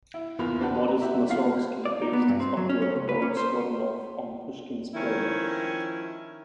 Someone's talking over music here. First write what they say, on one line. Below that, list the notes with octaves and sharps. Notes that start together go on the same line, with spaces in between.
Modest Mussorgsky based his opera "Boris Godunov" on Pushkin's play.
E4
E2 E3 A#3 F4 B5 F7
C4 D4 G4 B4 F#5 A5
A#5
F#4 G4 E5
E3 B3 F4 F#4 F5 C7
D5
D#4
B3
G2
C4
F#3
C#4
C#4
C#2
B4
C#4
C5
D#3 F3 C#4 E4